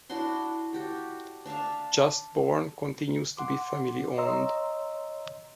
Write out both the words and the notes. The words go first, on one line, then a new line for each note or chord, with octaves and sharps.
Just Born continues to be family owned.
D4 E4 F#4 C6
F#4 G4 A4
D4 E5 F5 A5
F#5 C6 D6
C#5 D#5 A#5 C6 E6